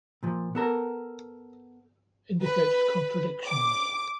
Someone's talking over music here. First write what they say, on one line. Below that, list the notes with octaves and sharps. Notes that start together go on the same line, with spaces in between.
Indicates contradictions.
A#2 F3
B3 A4 A#4
B4
D6